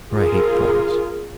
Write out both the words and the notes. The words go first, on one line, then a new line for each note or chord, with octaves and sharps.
For I hate Florence.
F4 G#4 A#4